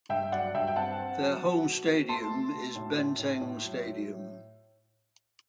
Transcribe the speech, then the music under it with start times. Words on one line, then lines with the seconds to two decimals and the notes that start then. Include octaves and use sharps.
Their home stadium is Benteng Stadium.
0.09 G2 E5 G5
0.32 F#3 D5 F#5
0.55 G2 E5 G5
0.67 G5
0.76 C4 F#5 A5
0.98 C4
1.20 F#3
1.42 B2
1.65 B2
1.86 C4
2.09 A3 A5 C6
2.31 A3
2.54 B2
2.76 A2
2.98 A2
3.19 A2
3.41 A2
3.64 F#3
3.86 A2